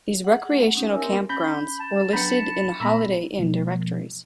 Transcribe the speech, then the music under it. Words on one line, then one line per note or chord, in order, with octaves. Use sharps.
These recreational campgrounds were listed in the Holiday Inn directories.
G#4 F#5
A3 F#5
B3
C#4 D#4 G4
A#4 C#5 E5 G#5 E6
A#3 C4 G4 A#4
C#4 B5 G6
A5
F#3 B3 D4 B4 B5 C#7
A#2 A3 B3 A#5 B5 E6
B2 F3 G#3 A#3